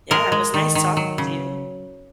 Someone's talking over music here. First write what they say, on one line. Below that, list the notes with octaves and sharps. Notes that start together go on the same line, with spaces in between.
Yeah, it was nice talking to you.
G#3 A#4
G#3
D#3
D#3
F#3
C#3